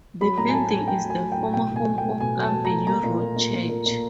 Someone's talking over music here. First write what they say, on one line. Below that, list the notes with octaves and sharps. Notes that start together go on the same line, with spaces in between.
The building is the former home of Avenue Road Church.
F#3 B5
A2 A#5
G#5
A3 A5
A2 G#5
A2 G5
F#3
G#5
F#3
G5
A2
B2 G5
B2 G#5
A3
G5
A3
B2 G#5
F#3
A5
F#3
A#5
A3
A#3 A#5
A#2
A#2
A#2
A#2
A#2
A#2